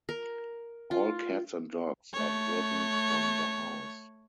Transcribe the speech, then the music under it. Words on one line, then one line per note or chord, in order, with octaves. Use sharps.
All cats and dogs are driven from the house.
A#4
F4
A3 C#5